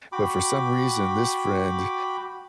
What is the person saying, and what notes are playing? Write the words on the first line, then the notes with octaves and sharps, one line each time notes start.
but for some reason, this friend
F#4 G5 B5 D6